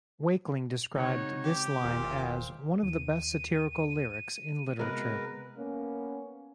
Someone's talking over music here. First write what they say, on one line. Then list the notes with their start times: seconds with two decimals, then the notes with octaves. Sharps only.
Wakeling described this line as "one of the best satirical lyrics in literature".
0.96 C#3 G#3 C4 D#4 F#4 C#5
1.44 G4
1.84 E1 A#2 D#3 C5
2.83 D#2 D#7
4.79 C3 G#3 B3 F#4 A#4 B4
5.58 A#3 B3 C#4